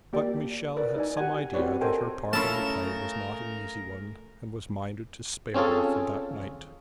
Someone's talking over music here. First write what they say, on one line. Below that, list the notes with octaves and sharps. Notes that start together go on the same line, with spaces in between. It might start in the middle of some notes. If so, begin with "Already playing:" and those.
But Michel had some idea that her part in the play was not an easy one, and was minded to spare her for that night.
A#3 G4 D5
A#4 B4 D5
D#4 D5 G#5
G4 F#5 G#5
C4 F#4 G4 B4 C#5 D5
A4 A#4 C5 D#5 G5 G#5
C#3 A3 C#4 E4 F4 A#4 C#5 A5
C4 C#4 F4 G#4 A4